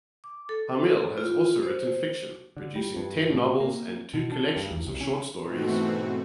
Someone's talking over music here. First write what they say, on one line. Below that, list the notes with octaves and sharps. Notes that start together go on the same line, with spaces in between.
Hamill has also written fiction, producing ten novels and two collections of short stories.
D6
A4
F4
C5
D3
G3
G2
A2
A#3
B2
D4
G2
E2
C2
C#4
G#2 B2 E3 A3 C4 F#4